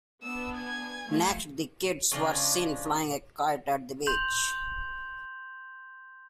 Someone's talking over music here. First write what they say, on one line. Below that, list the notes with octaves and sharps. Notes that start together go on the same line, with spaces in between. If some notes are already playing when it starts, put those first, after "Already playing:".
Next the kids were seen flying a kite at the beach.
B3 D4 E6
G#5 G#6
F3 A3 F4
C#3 F3 G#3 D4
C6 G6 F7 F#7